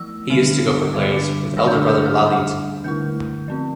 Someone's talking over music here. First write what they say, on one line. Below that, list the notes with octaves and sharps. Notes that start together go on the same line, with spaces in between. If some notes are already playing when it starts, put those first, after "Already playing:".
He used to go for plays with elder brother Lalith.
Already playing: F3 A3 E4 E6
D3 G3 B3 D4 F6
D3 G3 D4 D6
D3 A3 D4 E6
G6
F6
G6
F6
G3 D4 F6
D3 A3 E4 G6
F3 C4 E4